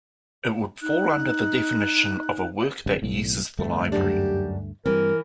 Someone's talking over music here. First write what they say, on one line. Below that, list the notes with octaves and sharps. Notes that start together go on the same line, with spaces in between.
It would fall under the definition of a "work that uses the Library".
D#4 F#6
G#1 G2 C#3
B1 A2
D2 G2 A3
F#2 D4 G4
G2 E3 G3 C4 A#4